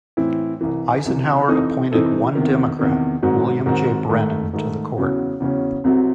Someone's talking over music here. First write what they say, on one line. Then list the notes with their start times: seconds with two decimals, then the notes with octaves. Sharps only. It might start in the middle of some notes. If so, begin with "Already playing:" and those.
Eisenhower appointed one Democrat, William J. Brennan, to the Court.
0.17 A2 E3 C4 E4
0.61 C2 C3 E3
1.05 C2 C3 E3
1.48 C3 E3 C4 D#4 A4
1.92 C3 E3 C4 D#4 A4
2.35 E2 C3 D#3
2.79 E2 C3 D#3
3.22 G#2 D#3 F#3 C4 F#4
3.66 G#2 D#3 F#3 C4 F#4
4.09 G#2 D#3 A3
4.53 G#2 D#3 A3
4.97 E2 C#3 F#3 C#4
5.40 E2 C#3 F#3 C#4
5.84 C2 C3 F#3 C4 F#4